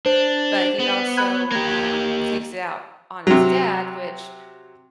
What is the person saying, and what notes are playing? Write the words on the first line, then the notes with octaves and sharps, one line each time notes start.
But he also, um, takes it out on his dad, which
D4 C5
B3
B5 F#6 G#6
A#3 G4 G#6
C3 F#3